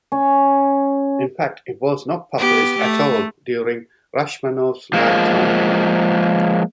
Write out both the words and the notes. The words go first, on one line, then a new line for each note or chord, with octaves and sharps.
In fact it was not published at all during Rachmaninoff's lifetime.
C#4
B3 G4
A3
F3 G#3 A#3